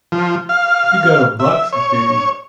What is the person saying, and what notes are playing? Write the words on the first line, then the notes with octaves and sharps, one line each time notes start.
You got a boxy thing.
F3
F5
E5
C#5